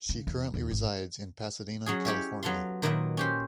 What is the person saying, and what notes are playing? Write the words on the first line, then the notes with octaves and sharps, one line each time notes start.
She currently resides in Pasadena, California.
C#3
E2
D#2
G#1
F#3 C#4 G#4
E4 G4 C#5 E5
F#3 B3 A4 F5 C6
A#2 D#3 F#3 B4 D#5 E5
C#4 G4 C5